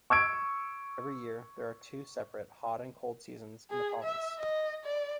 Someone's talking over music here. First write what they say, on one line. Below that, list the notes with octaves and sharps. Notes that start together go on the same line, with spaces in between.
Every year, there are two separate hot and cold seasons in the province.
C#6 E6 G#6 D7
G#4
E5
D#5
D5